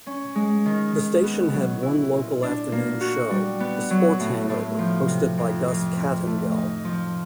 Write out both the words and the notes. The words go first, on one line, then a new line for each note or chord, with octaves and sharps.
The station had one local afternoon show, "The Sports Hangover", hosted by Gus Kattengell.
C#4
G#3
D#3
D#3
B3
F#3
E4
A#2
D4
A#3
F#4
G3
B3
F#3
A2
A2
F3
C3
F2
F2
C4
A3
D#4
F3